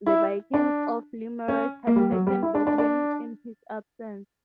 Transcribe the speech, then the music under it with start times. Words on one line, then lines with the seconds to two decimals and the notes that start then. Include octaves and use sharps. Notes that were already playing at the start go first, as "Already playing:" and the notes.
The Vikings of Limerick had taken Dublin in his absence.
0.06 E4
0.54 D4
1.48 C#4
1.87 A#3
1.96 G3
2.12 F#3
2.27 G3
2.43 E4
2.55 D4
2.67 D4
2.78 D4